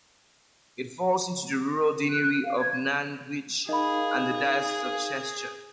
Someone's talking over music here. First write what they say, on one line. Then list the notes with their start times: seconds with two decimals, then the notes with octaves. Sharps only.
It falls into the rural deanery of Nantwich and the diocese of Chester.
2.09 F#6
2.45 F5
2.57 G#6
3.69 D#4 G#4 A#4 D#5 F5 B5